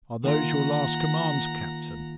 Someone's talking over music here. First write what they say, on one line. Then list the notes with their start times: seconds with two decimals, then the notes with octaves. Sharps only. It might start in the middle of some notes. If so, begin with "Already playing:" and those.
"Are those your last commands, captain?"
0.24 D#3 A#3 F4 F#5 A#5